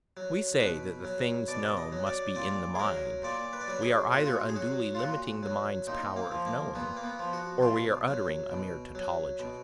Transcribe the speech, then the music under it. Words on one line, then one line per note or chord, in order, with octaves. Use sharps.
If we say that the things known must be in the mind, we are either unduly limiting the mind's power of knowing, or we are uttering a mere tautology.
F#3
B2 B4
F#3
B2 D5
D#5
F#3
D5
A#2 D5
G#4
F#3 A#4
A#2 D5
B4
D5
F#3 B4
G#4
A#2 F#4
F4
F#4
G#4
F#3 F#4
F4
A#2 F#4
F#3
A#2 D#4
A#3
F3
A#3
A#2 B3
A#3
B3
F3
F#4
B2 F4
F#3
B2
F#3
B2